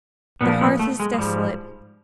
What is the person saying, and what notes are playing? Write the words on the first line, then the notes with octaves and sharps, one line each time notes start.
The hearth is desolate.
A#2 F3 B3
B3
A3
G#3
G#3
G#2 F3 G3